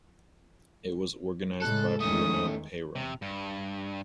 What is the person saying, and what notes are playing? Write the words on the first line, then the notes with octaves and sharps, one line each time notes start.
It was organized by Bruno Peyron.
A2 C#3 G#3 A4 F#6
E2 D#3 G#3 A3 C#4 D#6
C3
G2